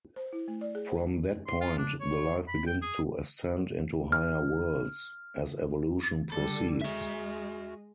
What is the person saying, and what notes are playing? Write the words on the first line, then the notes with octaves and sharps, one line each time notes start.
From that point the life begins to ascend into higher Worlds, as evolution proceeds.
C5
E4
A3
D5
G#4
C5
C6
F4
D4
C#5
B5
G5
G#4
F6
D3 G3 A4
G#3 F#4 E5